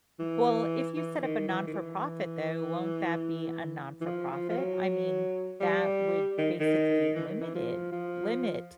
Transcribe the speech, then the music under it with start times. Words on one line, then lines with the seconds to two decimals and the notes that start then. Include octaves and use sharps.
W well, if you set up a non-for-profit, though, won't that be a non-for-profit? I mean, that would basically limit it limit
0.20 E3
0.97 E3
1.17 E3
1.23 D#3
1.48 E3
1.67 D#3
1.74 E3
4.01 E3
4.06 F3
4.32 F3
4.50 F3
4.57 F#3
5.61 G3
6.38 D#3
6.60 D#3
7.16 E3
7.29 D#3
7.41 E3
7.55 F3
7.92 F3